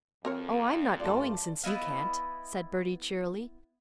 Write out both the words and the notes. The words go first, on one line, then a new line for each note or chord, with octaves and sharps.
"Oh, I'm not going since you can't," said Bertie cheerily.
F2 C4 A#4 C#5
G2 A3 F4 D5 A5
B3 E4 D#5 F5